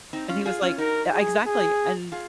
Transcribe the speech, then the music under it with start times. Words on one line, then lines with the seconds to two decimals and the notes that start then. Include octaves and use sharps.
And he was like uh, exactly. And
0.13 C4 D#4
0.29 C#4 F4
0.45 F4 G#4
0.62 C#4 F4
0.78 D#4 F#4 A#4
1.13 G#4
1.46 G#4
2.12 F4 G#4